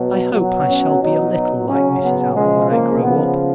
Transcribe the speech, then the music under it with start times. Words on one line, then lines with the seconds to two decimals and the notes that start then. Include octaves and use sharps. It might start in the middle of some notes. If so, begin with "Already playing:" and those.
I hope I shall be a little like Mrs. Allan when I grow up.
Already playing: B2 F#3
0.33 B2 F#3
0.68 C#4
1.01 B2 F#3 D#4
1.68 C#3 F#3 C#4
2.01 B3
2.35 C#3 F3 G#3
2.69 A#3
3.03 C#3 F3 B3